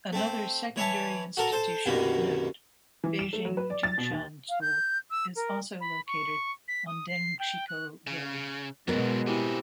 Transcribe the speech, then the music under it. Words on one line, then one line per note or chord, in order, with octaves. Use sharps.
Another secondary institution of note, Beijing Jingshan School, is also located on Dengshikou Road.
A3 C4
E3 C#5 E5 A5
F#4 A4 A#4
A4 C5
C2 F#2 B2 D#3 A#3
E3
E7
A3
F#3
B4
D5
A6
B2
D#2
F5
G6
E6
A#4
B5
C#6
B6
D#6
C7
G5
F#6
C#3
G#2 B2 F#3 G#3 B3 A#4
C4 E4 G4 G#4